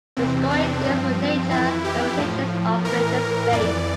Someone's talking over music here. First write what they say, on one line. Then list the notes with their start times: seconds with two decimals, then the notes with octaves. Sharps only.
The story deals with the nature and limitations of religious faith.
0.17 E2 C3 E3 C4
0.50 D4
0.84 G2 F3 C4
1.51 F2 E3 E4
1.84 G4
2.18 A2 F3
2.85 A2 E3 A#4
3.52 F2 E3 D5